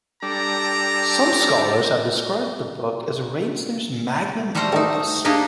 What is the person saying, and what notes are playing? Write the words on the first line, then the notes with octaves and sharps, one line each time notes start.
Some scholars have described the book as Reisner's magnum opus.
G3 D4 A4 A#5
G3 A3 F#4 A#4 C5 A#5
A3 D#4
A#3 D4 D#4 G4 G#4 D#5